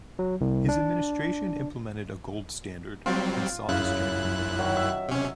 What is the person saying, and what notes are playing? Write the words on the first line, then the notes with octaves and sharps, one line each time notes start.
His administration implemented a gold standard and sought to strengthen the dollar.
F#3
C2
D4
F#3 G3 C4 F4
F#2 C#3 E4 F#6
D#3 F#3
E5
C3 C#4